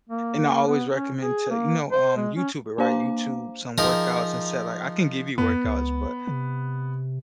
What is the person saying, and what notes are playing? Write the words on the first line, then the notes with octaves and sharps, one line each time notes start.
and I always recommend to you know, um, YouTuber, right? YouTube some workouts and say, like, "I can give you workouts, but
A#3
B3
C#4
G#4
A#3
C5
G#3
C#4
A#3 D4 C5 F5 A#5 D6
F3 D#4 G#4 A#4
F2 B3
C#2
C3